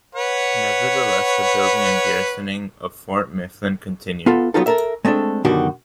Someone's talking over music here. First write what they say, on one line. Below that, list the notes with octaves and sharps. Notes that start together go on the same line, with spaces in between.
Nevertheless, the building and garrisoning of Fort Mifflin continued.
B4 C#5 F#5
B3 F4 A4
F#3 A#3 B3 D#4 F4 A4
A4 A#4 E5
G#3 A3 C4 D4 A4
F#2 B2 D3 D#3 F#4 G4